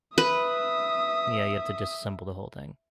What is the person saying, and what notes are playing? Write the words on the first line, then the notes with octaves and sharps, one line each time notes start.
Yeah, you've to disassemble the whole thing.
B4 E5 D#6